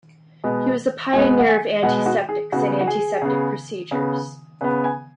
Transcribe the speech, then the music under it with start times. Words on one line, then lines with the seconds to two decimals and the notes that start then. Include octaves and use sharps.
He was a pioneer of antiseptics and antiseptic procedures.
0.44 B2 G#3 B3
1.13 B2 G#3 B3 G#5
1.39 F#5
1.48 G#5
1.83 B2 G#3 B3 F#5
2.06 F#4
2.29 G#4
2.52 C#3 B3 F#4
2.81 F#4
2.87 G#4
3.22 C#3 B3
3.91 C#3 B3
4.61 C#3 B3 B4
4.84 G#5